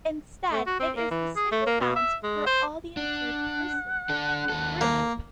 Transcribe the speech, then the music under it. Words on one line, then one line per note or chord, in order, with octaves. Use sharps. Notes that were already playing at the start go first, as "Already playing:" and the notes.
Instead it is the same amount for all the insured persons in the group.
A3
F#4
C4
A#3
E3
G#4
A3
A#3
B2
E5
G#3
C5
D4 F#5
D4 A4
D#2 A4
A#3